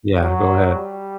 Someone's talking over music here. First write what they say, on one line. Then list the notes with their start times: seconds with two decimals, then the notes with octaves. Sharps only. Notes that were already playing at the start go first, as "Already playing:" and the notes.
Yeah. Go ahead.
0.21 F#3
0.74 G3